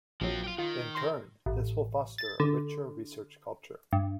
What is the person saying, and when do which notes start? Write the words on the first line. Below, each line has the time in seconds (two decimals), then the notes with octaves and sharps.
In turn, this will foster a richer research culture.
0.21 A#1 F3 F#3 C4
0.44 F4 G4
0.58 D#3 F4
0.95 C6 A#6
1.46 A1
2.18 A6
2.40 D3
3.93 G2